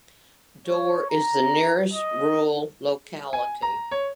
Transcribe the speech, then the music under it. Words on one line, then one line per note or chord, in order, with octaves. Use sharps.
Dor is the nearest rural locality.
C#5
A#5
D#5
G#5
A#5
C#5